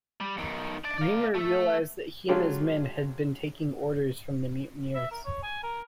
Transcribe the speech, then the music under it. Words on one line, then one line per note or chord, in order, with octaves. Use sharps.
Remer realised that he and his men had been taking orders from the mutineers.
G3
B1 D#3
D4 D5
D5 F5
A3 E5
C#3 F#3 G#3 F4 G4 A4
E5
A#4
C#5
G#5
A#4